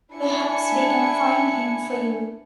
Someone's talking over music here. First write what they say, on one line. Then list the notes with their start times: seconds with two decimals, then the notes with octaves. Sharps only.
Perhaps we can find him for you.
0.14 D4 E4 G#5 C#7